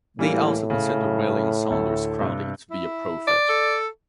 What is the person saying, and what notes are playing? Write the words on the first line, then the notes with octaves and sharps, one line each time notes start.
They also consider William Saunders Crowdy to be a prophet.
A2 E3 G3 A#3
C#3
D2 A4
G2 C3
E4
D5
A4